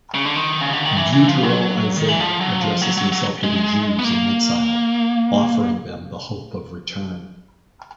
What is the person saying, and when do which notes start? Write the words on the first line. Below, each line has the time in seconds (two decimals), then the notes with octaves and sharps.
Deutero-Isaiah addresses himself to the Jews in exile, offering them the hope of return.
0.15 C#3
0.25 D3
0.36 D#3
0.61 C#3
0.73 D3
0.85 D#3
0.97 E3
1.13 E3
1.28 F3
1.43 F#3
1.96 D#3
2.08 E3
2.20 F3
2.41 F#3
2.61 F3
2.82 F#3
2.97 F#3
3.12 F#3
3.43 G#3
3.99 B3
4.04 A#3